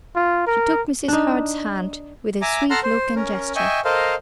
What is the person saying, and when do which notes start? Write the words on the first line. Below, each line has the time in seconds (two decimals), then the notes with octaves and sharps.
She took Mrs. Hurd's hand with a sweet look and gesture.
0.15 F4
0.47 A#4
1.08 D4 D#4
2.42 E5 G#5 A#5 D6
2.70 A4 F#5 A5 A#5 C6 F6
2.83 C5
3.16 C#4 A#4
3.55 D#5 E5 G5 G#5 C#6
3.85 A4 A#4 C5 D#5 F5